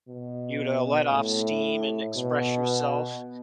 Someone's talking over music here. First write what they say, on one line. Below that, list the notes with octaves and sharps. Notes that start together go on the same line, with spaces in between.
you to let off steam and express yourself.
B2
A2
B2